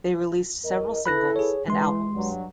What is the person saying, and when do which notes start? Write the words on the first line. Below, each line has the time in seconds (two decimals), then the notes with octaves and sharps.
They released several singles and albums.
0.63 E2 A#4 D#5
1.06 E4 A4 B4 B5 F#6 A#6
1.36 G#4 C#5
1.68 E3 G#3 C6
2.14 G2 F#3